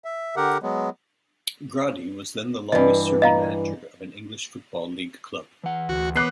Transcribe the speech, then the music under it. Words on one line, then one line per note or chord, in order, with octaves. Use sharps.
Gradi was then the longest serving manager of an English football league club.
E5
D3 G4 A#4 F#5
F#3 G#3 B3
G2 E3 D#5
D#5 F5 A#5
E3 F#5
D2 F#4
B3 D6 F#6 C7